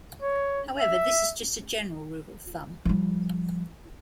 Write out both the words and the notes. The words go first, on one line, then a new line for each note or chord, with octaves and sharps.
However, this is just a general rule of thumb.
C#5
E5
F3 G3